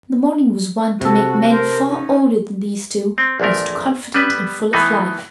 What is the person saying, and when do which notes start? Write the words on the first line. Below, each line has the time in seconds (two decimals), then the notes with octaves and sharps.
The morning was one to make men far older than these two most confident and full of life.
1.01 C3 F#4 A4
1.50 A#4 C5
1.85 C#4 D#4
3.18 C4
3.40 A#1 E2 F3 A3 A#4
4.14 G3 B3 B4
4.73 A2 E3 B3 D#4